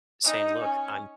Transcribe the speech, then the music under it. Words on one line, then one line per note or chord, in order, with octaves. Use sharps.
saying, "Look, I'm
D#4
C#4